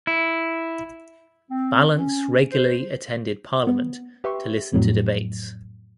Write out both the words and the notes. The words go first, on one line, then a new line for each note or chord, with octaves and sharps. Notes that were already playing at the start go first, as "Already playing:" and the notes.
Ballance regularly attended Parliament to listen to debates.
E4
C4
C#4
C5
B3
G4 B4 E5 G5 C6 C#6
F2 A2 F#3